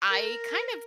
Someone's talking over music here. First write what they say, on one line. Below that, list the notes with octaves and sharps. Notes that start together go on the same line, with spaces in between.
I kind of
A#4